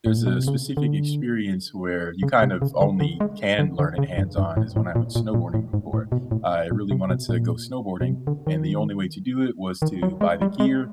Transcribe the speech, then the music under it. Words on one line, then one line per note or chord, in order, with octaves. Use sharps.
there's a specific experience where you kind of only can learn it hands-on, is when I went snowboarding before. Uh, I really wanted to go snowboarding, and the only way to do it was to buy the gear,
A2
A#2
B2
C3
C#3
D3
C#3
C3
C#3
D3
D3
G#3
D3
D3
C#3
G2
G2
A2
A2
A#2
A#2
A#2
A2
G#2
A2
B2
A2
A#2
C3
B2
A#2
B2
C3
D3
D#3
D#3
F#3
G#3
G3
G#3